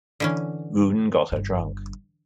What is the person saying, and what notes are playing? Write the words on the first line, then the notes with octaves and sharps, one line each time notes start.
Rhun got her drunk.
D3 E3 C#4
G1 G2